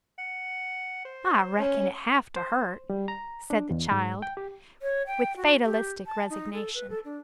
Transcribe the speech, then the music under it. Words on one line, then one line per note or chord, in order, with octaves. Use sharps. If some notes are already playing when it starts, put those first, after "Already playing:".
"I reckon hit have to hurt," said the child, with fatalistic resignation.
F#5
C5
C#4
C5
G3
A#5
D4
E2
G#2
G5
G4
C#5
G5
F#4
G4
A5
D#4
A4
B4
A4
D4